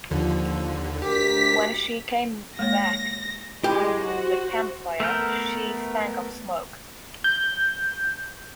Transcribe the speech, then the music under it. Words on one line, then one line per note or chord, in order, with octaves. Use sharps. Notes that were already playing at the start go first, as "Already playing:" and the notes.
When she came back from the campfire, she stank of smoke.
D#2 D3 F3
D2 G4 A#4 B6
G#3 A#3 C#5 A#6
G#3 E4 G4 G5 B5
F#4 C5
A3 B3 A#4 G6
G6